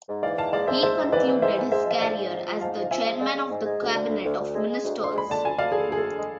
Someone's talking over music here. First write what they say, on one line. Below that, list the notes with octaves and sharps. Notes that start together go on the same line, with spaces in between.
He concluded his career as the Chairman of the Cabinet of Ministers.
G#2
E3 D5 F5
G#2 F5 A5
G#3 D5 F5
G#2 C5 E5
G#2 C5 E5
G#2
E3 B4 D5
E3
G#2 C5 E5
G#2
G#3 C5 E5
F3 E5
G#2 D5 F5
G#2
F3
F3
G#2 F5 A5
F3
F5
F3 E5 G#5
G#3
G#3 D5 F5
G#3
G#2
G#3
D2
D3
D2
D2
D2
G#3
G#3
D2
D2 C6
G#3 B5
D3 A5
D2 G#5
D2 D5 F5
D3 G#4
A4
D2 G#4
A4
D3
G#3